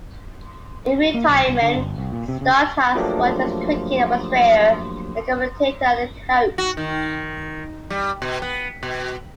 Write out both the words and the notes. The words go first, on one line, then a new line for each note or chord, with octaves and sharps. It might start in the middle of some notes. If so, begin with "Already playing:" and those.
In retirement, Stott has worked as a cricket administrator, a commentator and a coach.
A#3
B1
C2
D3
G1
C2
A#2
C3
C#3
F3 F#3 A3 A#3 D4 G4
F#4
D#3
G3
B2
B3
B2